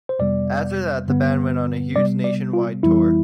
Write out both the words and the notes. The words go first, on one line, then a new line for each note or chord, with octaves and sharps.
After that the band went on a huge nationwide tour.
C5
F2 C3 G3 B3 D5
G2 D3 G3 B3
C3 G3 B3 D5
D5
F4
F2 E3 G3 B3 E4